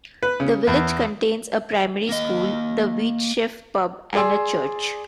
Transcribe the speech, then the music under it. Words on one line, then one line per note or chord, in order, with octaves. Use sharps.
The village contains a primary school, the Wheatsheaf pub and a church.
B4
C#3
E2
A#3 D#5
G#4 D5 C6 E6